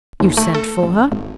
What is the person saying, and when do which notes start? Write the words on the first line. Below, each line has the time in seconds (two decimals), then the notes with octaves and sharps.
"You sent for her?"
0.20 D#2
0.37 A3
0.54 A4
0.83 A1
1.12 G#1